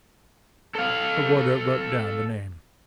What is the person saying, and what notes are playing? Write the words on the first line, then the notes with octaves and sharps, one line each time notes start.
The warder wrote down the name.
A4 F5